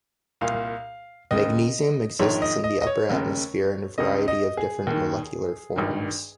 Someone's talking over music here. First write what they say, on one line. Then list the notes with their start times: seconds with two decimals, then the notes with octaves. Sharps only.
Magnesium exists in the upper atmosphere in a variety of different molecular forms.
0.41 C2 A#2 F5
1.31 D#2 C#3 D#5
2.20 A#1 G#2 D#3 C#5
2.42 D#5
2.64 D#5
2.81 D#5
2.87 C#5
3.09 F1 D#2 C#3
3.98 C#2 C#3 D#5
4.28 D#5
4.57 G#4
4.87 D#2 D#3
5.76 G#1 G2 D#3